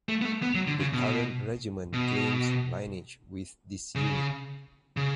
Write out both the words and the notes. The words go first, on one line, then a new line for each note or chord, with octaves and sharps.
The current regiment claims lineage with this unit.
A3
B3
A3
B3
F#3
D3
C#3
B2
B2
C#3
C#3